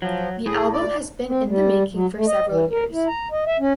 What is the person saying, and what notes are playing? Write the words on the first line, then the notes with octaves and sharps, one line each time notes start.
The album has been in the making for several years.
F3 F#3
A2 G#4
D5
C4
G3
F#3
A3
D#5
E3
A#4
E4
A#5
D#5
E5
C#4